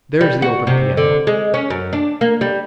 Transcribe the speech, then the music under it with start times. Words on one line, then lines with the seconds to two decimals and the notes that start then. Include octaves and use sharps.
There's the open piano.
0.21 G3
0.42 F#4
0.67 C3
0.97 D3
1.27 G#3
1.54 C#4
1.70 F#2
1.93 D4
2.21 A#3
2.41 G3